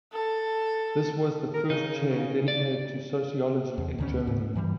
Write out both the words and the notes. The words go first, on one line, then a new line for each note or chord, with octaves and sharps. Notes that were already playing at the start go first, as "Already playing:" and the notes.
This was the first chair dedicated to Sociology in Germany.
A4
A#4
C#3 D#4
D5
E2
D2 C#3 C#4
G#2
G2 E3 G3